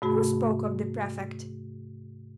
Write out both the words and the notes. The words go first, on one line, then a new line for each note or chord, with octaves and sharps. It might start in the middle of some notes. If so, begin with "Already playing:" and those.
'Who spoke of the prefect?
G#2 C3 A3 F#4 G#4 B5